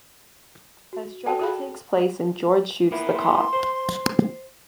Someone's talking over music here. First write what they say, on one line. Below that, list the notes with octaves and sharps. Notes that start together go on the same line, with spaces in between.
A struggle takes place and George shoots the cop.
F#4
F#4 A4 D5 G5 A5
F#4 G#4 B5
A#3 B3 E4
C6
C5